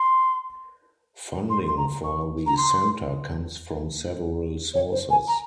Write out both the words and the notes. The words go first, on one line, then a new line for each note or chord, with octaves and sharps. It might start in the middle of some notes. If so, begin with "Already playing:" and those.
Funding for the centre comes from several sources.
Already playing: C6
C6
C6
A#5
C#6
A#5
C6
C#5
C5
G#5
A#5